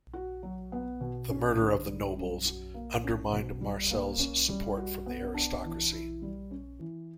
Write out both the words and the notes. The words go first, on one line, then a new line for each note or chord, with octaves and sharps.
The murder of the nobles undermined Marcel's support from the aristocracy.
F#4
F#3
B3
B2
C#4
D3
G3
F#2
F#4
A#3
C#4
B2
G3
A#3
C#4
G3
F#4
B3
D4
E3
E4
G3
C#4
E3